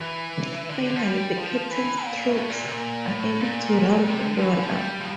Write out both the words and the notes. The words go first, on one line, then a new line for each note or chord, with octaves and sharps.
Finally, the Captain's troops are able to round everyone up.
E3
D3
F3
G3
F3
E3
A#2
A2
A#2
C3
A#2
A2
A#2
C3
D3
F3
E3
F3
A3
G3
F3